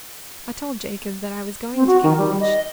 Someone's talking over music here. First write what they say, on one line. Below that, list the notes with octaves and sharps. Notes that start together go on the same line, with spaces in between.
I told Jacob that I was going to Cambridge.
C4
F#4
D#3
G3
D#5